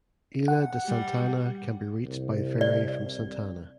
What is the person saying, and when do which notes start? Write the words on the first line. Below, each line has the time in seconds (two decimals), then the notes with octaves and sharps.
Ilha de Santana can be reached by ferry from Santana.
0.48 F#5
0.86 G3
2.04 C2
2.61 D5